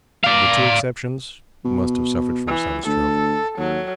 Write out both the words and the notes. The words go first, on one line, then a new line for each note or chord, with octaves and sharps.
The two exceptions must have suffered from sunstroke.
D5 F5
B2
E3
D2 A4
D#2 F#3